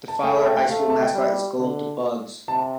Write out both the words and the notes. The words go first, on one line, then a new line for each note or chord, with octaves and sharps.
The Fowler High School mascot is Goldbugs.
A5
A3 G5
G5
G5
A3 F5
A5
G5
G3
D3
C3 A5